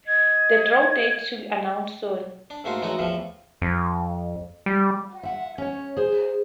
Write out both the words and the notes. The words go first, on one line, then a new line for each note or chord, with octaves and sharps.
The draw date to be announced soon.
D#5 G#6
D4
G#2 A3 A#3 F#4 C6
E3 F#3 G#3 A3 D#4 F#4
E2 A2 E3 F3
F2
G3
E5 F#5
C#4 C#5
G#4 C5